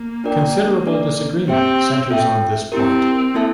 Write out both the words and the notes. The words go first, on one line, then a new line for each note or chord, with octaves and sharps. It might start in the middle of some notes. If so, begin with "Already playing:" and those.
Considerable disagreement centers on this point.
Already playing: A#3
D4 F4 A#4 D5 G5
D4 A4 D5
C4 G4 C5 E5 G5
F4 A4 E5 G5
C4 E4 G4 A#4
A#3 E4 A4 E5 A5